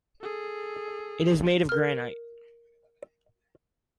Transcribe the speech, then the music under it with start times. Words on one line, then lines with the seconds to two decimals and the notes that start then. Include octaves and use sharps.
It is made of granite.
0.21 G#4 A4
1.69 A#4 F6